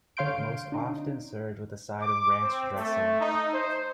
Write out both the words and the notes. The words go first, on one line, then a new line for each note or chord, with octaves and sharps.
Most often served with a side of Ranch dressing.
D3 C#5 F5 C6 G6 D7
D4 D#4
D6
C4
A3
D#4
C5